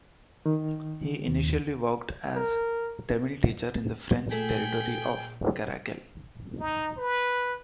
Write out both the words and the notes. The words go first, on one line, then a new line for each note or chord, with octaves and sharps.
He initially worked as a Tamil teacher in the French territory of Karaikal.
D#3
D#2
A#4
A#2 A3 G#4 A4 G5 B6
D#4
B4